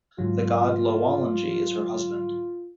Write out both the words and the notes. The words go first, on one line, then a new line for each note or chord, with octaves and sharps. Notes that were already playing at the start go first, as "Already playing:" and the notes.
The god Lowalangi is her husband.
G#2 D3 F#3 F4